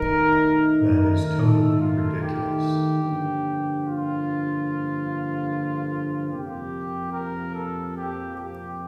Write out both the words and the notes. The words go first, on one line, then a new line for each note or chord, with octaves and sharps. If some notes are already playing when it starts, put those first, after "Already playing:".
That is totally ridiculous.
Already playing: D#3 A3 D#4 A#4
A#4
A4
F4
G4
G2 D3 F3 A#3
F4
F2 C3 F3 A#3 G4
A#4
A4
G4
G4